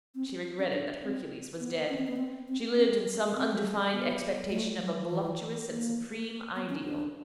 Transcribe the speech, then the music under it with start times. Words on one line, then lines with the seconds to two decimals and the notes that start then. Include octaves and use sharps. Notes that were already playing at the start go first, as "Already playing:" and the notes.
She regretted that Hercules was dead. She lived in some undefined expectation of a voluptuous and supreme ideal.
0.15 C4
0.59 C#4
0.73 D4
1.02 C4
1.60 B3
1.89 C#4
1.98 C4
2.07 B3
2.16 C4
2.48 C4
2.77 C4
3.35 C4
3.93 B3
4.51 A3
4.81 F#3
5.09 E3
5.68 A#3
6.56 B3
6.69 C#4
6.84 D4